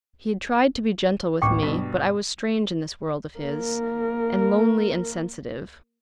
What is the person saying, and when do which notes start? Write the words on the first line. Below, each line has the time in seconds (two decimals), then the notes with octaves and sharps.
He had tried to be gentle with me; but I was strange in this world of his, and lonely and sensitive.
1.42 D1 A1 D#2 G5 C#6 D6
1.63 G2 B2 B6
3.39 A#3 A#4